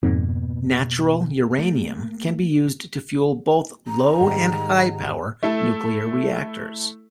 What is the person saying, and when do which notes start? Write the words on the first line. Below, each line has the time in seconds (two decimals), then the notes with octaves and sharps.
Natural uranium can be used to fuel both low- and high-power nuclear reactors.
0.03 F2 G#2 B2 A#3 B3
1.59 A3 A#3
3.88 A#5
4.20 G#2 D#3 G3
5.43 A3 E4 A4